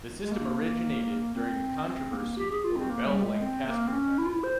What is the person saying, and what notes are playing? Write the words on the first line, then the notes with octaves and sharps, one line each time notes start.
The system originated during the controversy over Bell-Lancaster method.
G#3
A#3
C4
C4
A#3
G4
G#4
F4
C4
A#3
G3
G#3
C4
A#3
C4
C#4
E4
F4
E4
C5